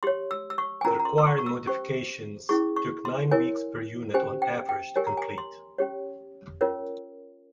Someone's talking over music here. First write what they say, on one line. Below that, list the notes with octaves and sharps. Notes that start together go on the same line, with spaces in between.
The required modifications took nine weeks per unit on average to complete.
G4 C#5 C6
E6
E6
C#6
G#5
C#4 F4 A#4 A#5
A#5
C6
E6
C#6
C#6
E6
C#4 G4 C5 C#6
C#4 E4 G#4 C#6
C#6
C6
E4 A#4 C#5 G#5
C#4 G4 C5 G#5
G5
G5
G4 A#4 C#5 G#5
A#5
G#5
C6
C#4 G4 C#5
C#4 F4 A#4 C#5